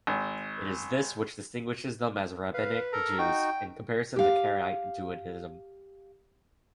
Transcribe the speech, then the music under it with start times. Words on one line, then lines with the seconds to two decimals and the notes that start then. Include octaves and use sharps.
It is this which distinguishes them as Rabbinic Jews, in comparison to Karaite Judaism.
0.07 G#1
2.54 B4 F5
2.93 A4 A#4 A#5
3.18 D#4 F#4 G5
4.16 G4 F5